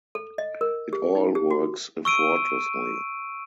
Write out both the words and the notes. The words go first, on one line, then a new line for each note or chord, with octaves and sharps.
It all works effortlessly.
A4
D#5
A#4
G4
D#4
G4
F#4
C#6 E6 D7 D#7